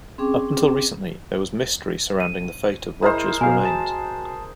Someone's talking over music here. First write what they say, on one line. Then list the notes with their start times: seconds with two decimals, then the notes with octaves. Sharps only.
Up until recently, there was mystery surrounding the fate of Roger's remains.
0.18 C4 C#4 G#4 G5 D6
2.20 D#7
3.02 G#3 E4 A#4 C5
3.41 B2 F#4 F5 G#5
3.65 A5